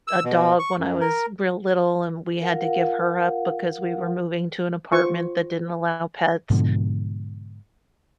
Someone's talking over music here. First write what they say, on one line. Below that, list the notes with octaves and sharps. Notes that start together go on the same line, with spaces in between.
a a dog when I was real little, and we had to give her up because we were moving to an apartment that didn't allow pets.
E6
B2
C#6
F#2
A#4
F4 A#4 F5 F#5
F4 C5 C#6
G#2 B2 D3 F3